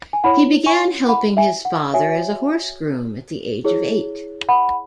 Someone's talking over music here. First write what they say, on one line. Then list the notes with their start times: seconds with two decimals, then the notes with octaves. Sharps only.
He began helping his father as a horse groom at the age of eight.
0.13 G#5
0.24 E4 C#5 F#5 B5
0.66 G#5 C#6
1.08 F#5 B5
1.37 E5 G#5
1.65 F#5
1.93 F#4 C#5 E5 G#5
3.64 E4 G#4 C#5
4.49 F#5 B5